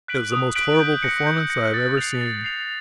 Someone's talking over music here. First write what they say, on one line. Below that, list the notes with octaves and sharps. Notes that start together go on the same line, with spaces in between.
It was the most horrible performance I have ever seen.
F#6 B6 D7 F#7
D#6
F#6 B6 D7 F#7
G6
A#6 C#7
G6
A#6 C#7
A6
C7 F7
A6
C7 F7